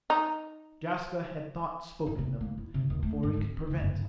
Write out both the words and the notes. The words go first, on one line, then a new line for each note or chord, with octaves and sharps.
Jaska had thought-spoken them, before he could prevent.
D#4
A1
C3
A#3
E4
C3
D#2
A3
G#2
C4
C#2
F#1
G1